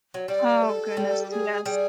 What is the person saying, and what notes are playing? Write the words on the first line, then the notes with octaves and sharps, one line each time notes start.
Oh, goodness, yes.
F#3
G3 D5
A4
G3
G4
G#4
G3 G#4